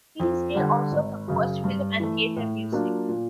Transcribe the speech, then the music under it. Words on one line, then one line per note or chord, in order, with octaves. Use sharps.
Easdale also composed film and theatre music.
F2
D3 G3
G#1
F#2 C#3
G2
E3 A3
A2
F#3 A#3 D4 F4
A#2